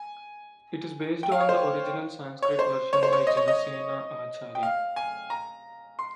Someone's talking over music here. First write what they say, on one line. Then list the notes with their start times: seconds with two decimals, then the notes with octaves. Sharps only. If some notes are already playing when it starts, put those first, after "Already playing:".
It is based on the original Sanskrit version by Jinasena acharya.
Already playing: G#5
1.23 G5
1.32 F5
1.40 C#5
1.49 C5
2.42 C#5
2.59 C5
2.93 C#5
3.03 C5
3.13 C#5
3.27 D#5
3.37 C#5
3.48 D#5
4.55 G5
4.63 F5
4.96 G#5
5.30 A#5
5.99 C6